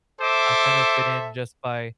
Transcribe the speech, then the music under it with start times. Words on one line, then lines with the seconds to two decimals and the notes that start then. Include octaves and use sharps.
I kind of fit in just by
0.20 A4 C5 E5 D6